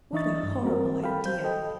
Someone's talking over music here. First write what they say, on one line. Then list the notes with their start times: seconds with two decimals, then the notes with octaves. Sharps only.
What a horrible idea!
0.13 E3 D4 D#5 E5 C#6 A6
0.43 G2
0.63 G3 C4 F#4 A#4
1.03 A4 F5 G5 B5
1.25 C5 G6
1.44 A4 D#5 G5